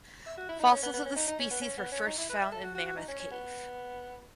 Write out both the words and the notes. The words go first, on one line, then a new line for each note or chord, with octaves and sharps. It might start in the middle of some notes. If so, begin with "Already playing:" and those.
Fossils of this species were first found in Mammoth Cave.
E5
F#4
E4
D#4
C#4
B3
B3
C#4
D#4
D#4
C#4
B3
C#4
B3
C#4
D#4
E4
B4
E5
A4
F#4
F#4
F#4
D#4
C#4
C#4
B3